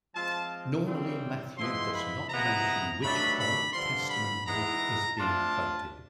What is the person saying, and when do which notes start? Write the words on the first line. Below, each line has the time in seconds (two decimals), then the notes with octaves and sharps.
Normally Matthew does not mention which Old Testament book is being quoted.
0.14 F3 G#3 C4 F4 A5
0.86 C#3 E3 G3 C4
1.58 F3 G#3 B3 E4 C6
1.94 B5
2.30 C3 F3 G#3 B3 E4 A#5
3.02 G2 D#3 F#3 A3 D4 B5
3.39 B5
3.74 G2 D3 F3 C6
4.10 B5
4.46 G#2 E3 G#3 B3 E4 A#5
5.18 F3 A3 D4 F4 A5